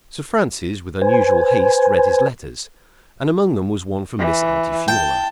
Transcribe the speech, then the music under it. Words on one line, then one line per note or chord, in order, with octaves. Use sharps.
Sir Francis with unusual haste read his letters, and among them was one from Miss Altifiorla.
B4 C5 G#5
E3
G5 A5